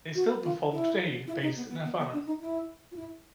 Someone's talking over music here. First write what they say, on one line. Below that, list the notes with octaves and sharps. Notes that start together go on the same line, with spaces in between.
They still perform today, based in Havana.
F#4
F4
E4
E4
D#4
B3
B3
B3
B3
D4
D#4
E4
F4
E4